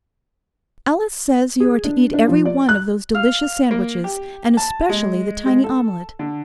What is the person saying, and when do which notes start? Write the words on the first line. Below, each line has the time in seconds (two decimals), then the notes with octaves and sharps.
'Alice says you are to eat every one of those delicious sandwiches, and especially the tiny omelette.
1.60 G#4
1.84 D4
2.14 D4
2.28 F3
2.45 D5
2.69 F#6
3.15 F5
3.71 A#3
4.04 G4
4.57 A5
4.89 G#3
5.46 G#3
5.64 A4
6.19 D3